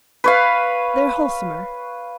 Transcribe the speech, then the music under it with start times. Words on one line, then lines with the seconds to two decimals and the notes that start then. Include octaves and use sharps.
They're wholesomer.
0.24 B4 C#5 F5